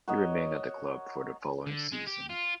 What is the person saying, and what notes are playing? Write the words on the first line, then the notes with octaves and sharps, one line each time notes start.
He remained at the club for the following season.
F#4 A#4 C#5 D#5
D3
G#3
G4
F4